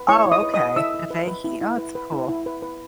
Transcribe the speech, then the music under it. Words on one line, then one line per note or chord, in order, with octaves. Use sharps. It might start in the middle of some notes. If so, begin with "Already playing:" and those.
Oh okay, "Dhivehi," oh it's cool.
Already playing: B4
E4 C#5 C#6
E4
D#5 D#6
B4
D#5 D#6
B4
E4 E5 E6
E4
B4
B4
E4
E4
B4
B4
E4
E4
B4
B4